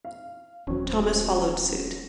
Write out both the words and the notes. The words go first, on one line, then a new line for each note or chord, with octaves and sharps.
Thomas followed suit.
F5
D#1 F#3 C4 C#4